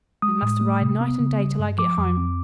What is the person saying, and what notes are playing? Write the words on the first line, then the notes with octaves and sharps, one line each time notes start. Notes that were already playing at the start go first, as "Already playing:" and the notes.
I must ride night and day till I get home.
G#3 D#6
A2
A3
C3
B3
C#3
G3
G2
F3 D6
F2
C4